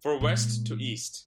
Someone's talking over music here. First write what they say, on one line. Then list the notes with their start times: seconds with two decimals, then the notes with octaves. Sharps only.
For west to east.
0.21 A#2 G#3